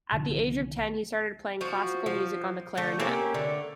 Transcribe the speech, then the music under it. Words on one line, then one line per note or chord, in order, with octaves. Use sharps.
At the age of ten he started playing classical music on the clarinet.
C2 D3 D#3 F3
F3 F#4
F3
D3 A3
A#3 C4 C#4 G4
D3 A3